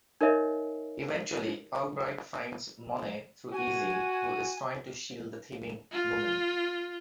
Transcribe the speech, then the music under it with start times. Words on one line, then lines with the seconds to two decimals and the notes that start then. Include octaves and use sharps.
Eventually, Albright finds Monet through Easy, who is trying to shield the thieving woman.
0.21 D#4 A#4 C#5 D#5 E5
3.53 F#4 G#5
5.92 F4